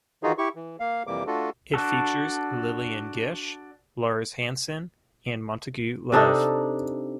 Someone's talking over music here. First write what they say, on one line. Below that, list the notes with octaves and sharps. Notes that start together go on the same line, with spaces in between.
It features Lillian Gish, Lars Hanson and Montagu Love.
D#3 E3 D#4 F4 F#4 G#4
E4 G4 C#6
E3
A#3 F5
F2 C3 E3 G3 A#3 D6
A3 D4 F4 F#4 A4
D4 F#4 A4
C3 D4 D#4 A4